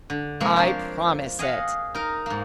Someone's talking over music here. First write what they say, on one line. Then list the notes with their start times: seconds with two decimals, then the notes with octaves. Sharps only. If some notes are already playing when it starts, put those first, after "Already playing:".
"I promise it."
0.10 D3
0.40 C3 F3 G#3 A#3
0.56 A#3 D4 C5 C#5
1.39 G#4 D#5 F5 F#5
1.95 D#4 A#4
2.26 G#2 A#3